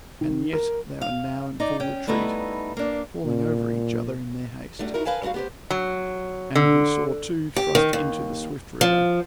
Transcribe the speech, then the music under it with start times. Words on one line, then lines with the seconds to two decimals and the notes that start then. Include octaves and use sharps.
And yet they were now in full retreat, falling over each other in their haste, and we saw two thrust into the swift river.
0.21 D#3
0.53 A#4
1.01 F5
1.60 D#4 D5
1.80 C#4 G5
2.07 G3 A3 B3 D#4 E4
2.77 A#3 D4
3.25 A#2
4.79 G3 A3 D4 F#4
4.94 D#4 E4 F#4 A#4
5.05 A#4 B4 F5 G#5 A5
5.22 G3 A3 F4 F#4 F5
5.34 B3 G4 C5
5.71 F#3
6.55 D3
7.56 G4
7.75 D#3
7.93 D#2
8.81 F3